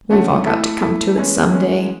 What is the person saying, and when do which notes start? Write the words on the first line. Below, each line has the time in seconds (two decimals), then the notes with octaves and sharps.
We've all got to come to it some day.
0.10 D3 A3 C#4 F#4 A4
0.44 A3 E4 A4
0.81 A3 E4 A4
1.16 E3 G#3 C#4
1.52 E3 G#3 C#4